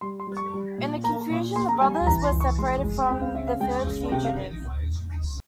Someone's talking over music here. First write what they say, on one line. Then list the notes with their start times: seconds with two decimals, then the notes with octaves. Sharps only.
In the confusion the brothers were separated from the third fugitive.
0.01 G3 C6
0.20 C6
0.27 G3
0.37 C#6
0.54 G3
0.78 A#2
1.04 A#3 A#5
1.30 A#2
1.56 A#3 C6
1.68 A#5
1.81 G3 G#5
1.95 G#5
2.07 E3 A#5
2.24 C6
2.32 E3
2.40 C#6
2.58 G#3 C6
2.83 G#3
3.09 C4 G5
3.22 F5
3.35 C#3 E5
3.48 F5
3.60 G#3 G5
3.87 C#3
4.12 C3 G5
4.25 F5